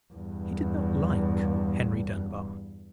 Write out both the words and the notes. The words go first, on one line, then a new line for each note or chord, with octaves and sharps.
He did not like Henry Dunbar.
E2 G2